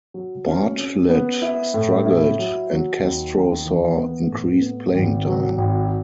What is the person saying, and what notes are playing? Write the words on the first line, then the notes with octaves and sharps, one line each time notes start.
Bartlett struggled and Castro saw increased playing time.
F#3
C#4
C#4
B3
E4
A2
E4
F#3
F#3
D#2
D#2
E3
B3
A2
B3
G#1
F#3
G#1